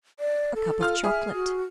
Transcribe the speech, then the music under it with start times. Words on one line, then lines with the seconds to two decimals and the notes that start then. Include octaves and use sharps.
"A cup of chocolate."
0.20 D5
0.55 A4
0.81 F4 F6
1.04 G#4 E5
1.34 F#4